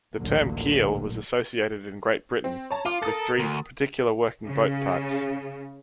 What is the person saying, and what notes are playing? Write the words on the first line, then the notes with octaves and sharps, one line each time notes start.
The term keel was associated in Great Britain with three particular working boat types.
A1 D2 A#2 D3 F#3 A#3
C4
C#5 A5 A#5
F4 F5 D6
A4 A#4 D#6 A6
D2
C#3